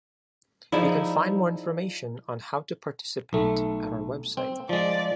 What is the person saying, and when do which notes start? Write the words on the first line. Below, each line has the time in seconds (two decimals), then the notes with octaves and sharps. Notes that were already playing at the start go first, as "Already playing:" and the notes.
You can find more information on how to participate at our website.
0.72 F3 D#4 E4 G#4 D5 F5
3.33 B1 A3
4.37 C4
4.69 F3 G#3 D5